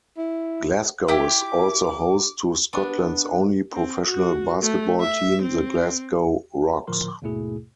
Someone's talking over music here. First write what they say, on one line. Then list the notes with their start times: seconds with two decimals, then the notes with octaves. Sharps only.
Glasgow is also host to Scotland's only professional basketball team, the Glasgow Rocks.
0.18 E4
1.08 E4 G4 D6
2.73 B3 D4
3.73 C4
4.05 F#4
4.62 A3
5.01 E5
5.42 C4
6.87 A2 D3 F3 A#4 C6
7.22 D#2 G#2 B2 A3 E4 G#4